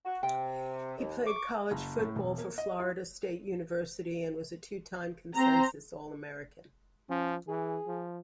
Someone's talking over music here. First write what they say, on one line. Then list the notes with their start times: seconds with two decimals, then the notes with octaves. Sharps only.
He played college football for Florida State University, and was a two-time consensus All-American.
0.05 F#4
0.23 C3 G5
0.98 D#2
1.27 C#6 D6
1.71 F#1
1.99 A2
2.16 E1
2.38 A#3
2.58 D#5
2.80 F4
5.35 C4 C5 A#5
7.10 F3 C#4
7.48 E3 G#4
7.87 F3